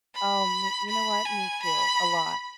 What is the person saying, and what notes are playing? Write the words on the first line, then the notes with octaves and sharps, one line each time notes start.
Oh, me you know what? Me too, a lot.
B5
B5
G#5
B5